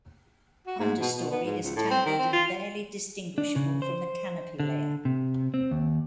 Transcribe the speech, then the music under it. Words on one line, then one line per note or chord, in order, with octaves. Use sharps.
Understorey is tangled and barely distinguishable from the canopy layer.
F#4
G#2
B2
B2
B3
G#2
C#2
A2
C4
D#3
C4
F4
D4
C#3
C5
D3
C3
C4
D#2